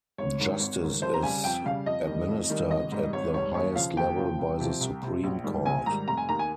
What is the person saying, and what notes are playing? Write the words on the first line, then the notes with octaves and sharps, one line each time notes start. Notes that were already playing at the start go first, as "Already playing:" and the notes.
Justice is administered at the highest level by the Supreme Court.
G#1 C#5
G#2 D#3
G#1
G#2 D#3
F2 C5
A#5
C#3 G3 G#5
F2 G5
C#3 G3 F5
F2 D#5
D#3 G3
F2
D#3 G3
G#1 D#5
G#2 G3
G#1 C#5
G#2 G3 C#5
D#2 C#5
C#3 F3 F5
D#2 G5
C#3 F3
C2
C3 F3
C2
C3 F3
A#1
G#2 D#3 G3
A#1 G#5
G#2 D#3 G3 A#5
F1 A#5
G#5
D#2 D#3 A#5
G#5